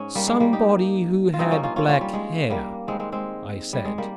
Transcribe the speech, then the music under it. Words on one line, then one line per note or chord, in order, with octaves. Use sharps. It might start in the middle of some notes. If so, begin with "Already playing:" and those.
"Somebody who had black hair," I said.
Already playing: G#2 C#4
G3 A#3
G#3
G3 A#3
D#4 G4
F4
G2 F3 C4 D#4
A#3 C#4
C#4 F4
C#4 F4
C#4 F4
G3
G#3
G3 A#3
G#2 D#3 G3 G#3 C4
G#3 C4
G#3 C4
G3
G#3
G3 A#3